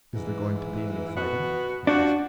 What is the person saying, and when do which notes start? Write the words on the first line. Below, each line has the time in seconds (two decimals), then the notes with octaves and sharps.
"Is there going to be any fighting?" I asked.
0.15 G#2 E3
1.16 B2 B3 F#4
1.87 F3 D4 F#4